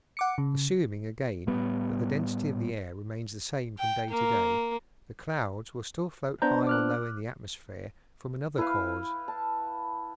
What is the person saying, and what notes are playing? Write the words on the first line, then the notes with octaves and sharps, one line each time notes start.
Assuming again that the density of the air remains the same from day to day, the clouds will still float high or low in the atmosphere from another cause.
F#5 D6 C#7
C#3
A2 G3 B3
G5
A#3
B3 D4 C5 A#5 G6
D6 F6 F#6
E4 B4 F5
A5